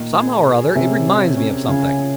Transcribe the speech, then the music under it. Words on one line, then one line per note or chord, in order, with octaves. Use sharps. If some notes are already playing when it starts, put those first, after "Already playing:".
"Somehow or other, it reminds me of something."
Already playing: A#2 D#3
G#4
G#4
C3 C#4
G#4
C#4
C#3 G#4
G#4